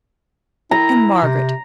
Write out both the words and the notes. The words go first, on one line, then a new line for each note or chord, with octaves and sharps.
And Margaret?
E4 A#5
C3